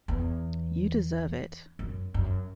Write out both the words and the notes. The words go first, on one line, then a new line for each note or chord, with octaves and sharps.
You deserve it.
E2
F#2
F#2